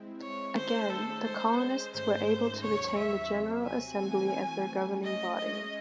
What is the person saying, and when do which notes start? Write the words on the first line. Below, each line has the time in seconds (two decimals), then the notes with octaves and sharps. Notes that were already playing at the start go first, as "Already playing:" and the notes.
Again, the colonists were able to retain the General Assembly as their governing body.
Already playing: G#3 C4 E4
0.21 C#5
0.56 D#3 A3 C#4 G#4 C5
0.90 A4
1.24 G#3 C#4 G#4 C5 D#5
1.93 G#2 D#3 A3 C#4 G#4 C5
2.62 D#2 C#3 F#3 C#5
2.97 E5
3.31 C3 F#3 C4
3.65 G#5
4.00 E3 A3 C4 F#4
4.69 F#3 A3 C#4
5.04 D#5
5.37 G#3 C#4 G#4 C#5 D#5 E5